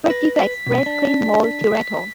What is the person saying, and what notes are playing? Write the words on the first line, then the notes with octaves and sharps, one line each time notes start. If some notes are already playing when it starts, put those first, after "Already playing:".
Birth Defects Res Clin Mol Teratol.
B4 A#6
B6
B2
D4
B6